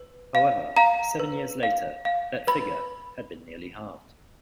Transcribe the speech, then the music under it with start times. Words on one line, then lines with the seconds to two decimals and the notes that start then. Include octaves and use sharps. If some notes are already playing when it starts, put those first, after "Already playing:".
However, seven years later that figure had been nearly halved.
Already playing: B4
0.35 F5
0.76 F5 A#5
1.20 B4
1.63 F5
2.05 F5
2.47 B4 B5